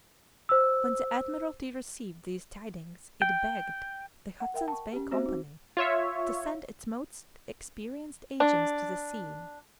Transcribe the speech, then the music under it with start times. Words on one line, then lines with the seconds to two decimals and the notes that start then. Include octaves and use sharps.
When the Admiralty received these tidings it begged the Hudson's Bay Company to send its most experienced agents to the scene.
0.49 C5 E6
3.22 G5
4.40 F#5
4.54 A#4 E5 G5
4.68 A5 C#6
4.93 C#4 G4
5.11 C4 F#4 C5 E5
5.26 D#4 F#4
5.77 F4 C#5 E5
8.40 D4